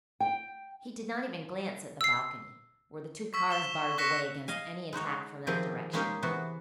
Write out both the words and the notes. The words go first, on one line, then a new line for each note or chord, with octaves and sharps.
He did not even glance at the balcony, where the two cars barred the way against any attack from that direction.
G5
E6 C7
C#6 E6 B6
E7 G7
C#6 F#6 A#6 B6 C#7 E7
D#5 F5 G#5
G#3 D#4 F#4 C#5
C3 D#3 F3 C4 G4 G#4
G#3 A#3 C#4 D#4 G4 G#4
C3 E3 B3 F#4